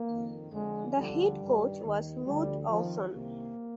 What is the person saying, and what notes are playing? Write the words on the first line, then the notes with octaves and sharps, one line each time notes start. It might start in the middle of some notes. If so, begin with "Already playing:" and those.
The head coach was Lute Olson.
Already playing: A#3
D#3
F2
F2 D3 F3 G#3
D2 D3 F3 G3
G2 D#3
D#2 D#3
D2 D3 F3 G3
F2 D#3 F3
C2 C3 D#3 A#3